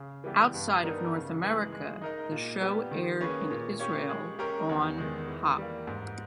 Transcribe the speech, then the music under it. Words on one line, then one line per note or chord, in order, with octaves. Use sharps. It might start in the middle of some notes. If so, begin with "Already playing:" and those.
Outside of North America, the show aired in Israel on Hop!
Already playing: C#3
E3 G3 B3 G4
G2
G3 B3 D#4 A#4
C#3
E3 G#3
G#3
D#4 A#4 D#5
A#2
G3 B3 G4
D#3
A#3 C#4 G#4 B4
A#2
A#3 C#4 G4 C#5
G#3
C#4 G4 A#4
E2
D#3 G#3
E3
G3 A#3
G#2